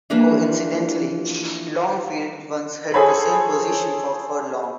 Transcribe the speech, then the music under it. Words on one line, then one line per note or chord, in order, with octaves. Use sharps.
Coincidentally, Longfield once held the same position for Furlong.
E3 F3 G3 A#3 D4
G#4 A4 C5 C#5 B5